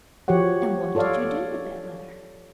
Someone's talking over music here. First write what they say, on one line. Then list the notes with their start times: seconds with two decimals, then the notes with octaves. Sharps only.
"And what did you do with that letter?"
0.28 F3 F#4 G4 C#5 F#5
0.95 F4 A4 C#5 D5 F5